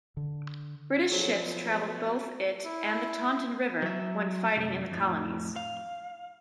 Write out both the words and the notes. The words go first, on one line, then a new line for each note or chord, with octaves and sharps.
British ships travelled both it and the Taunton River when fighting in the colonies.
D3
B2 F3 F#3 G#4 A4 C5
E4
F#3 E5
C2 F#2
F2 A2
F5